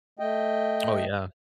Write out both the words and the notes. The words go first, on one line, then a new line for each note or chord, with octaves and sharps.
Oh, yeah.
A3 D#5 G5